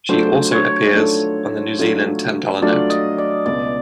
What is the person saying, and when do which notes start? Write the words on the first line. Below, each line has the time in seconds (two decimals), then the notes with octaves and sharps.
She also appears on the New Zealand ten-dollar note.
0.09 F#3 A3 D4 F4 A4 C5
0.52 C#5
0.93 F#3 A3 D4 F4 A4
1.78 F#3 A3 D4 F4 A4
2.62 F#3 A3 D4 F4 A4 D5
2.90 D#5
3.18 D5
3.46 C#2 B2 G#3 D5